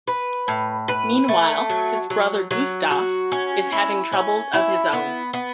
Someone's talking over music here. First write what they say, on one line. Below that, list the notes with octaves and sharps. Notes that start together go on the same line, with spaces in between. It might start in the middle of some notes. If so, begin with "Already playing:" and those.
Meanwhile, his brother Gustav is having troubles of his own.
B4
A2
B4
A3
F#3
F#3
F#3
F#4
C#4
E4
C#4
E4
B3
B3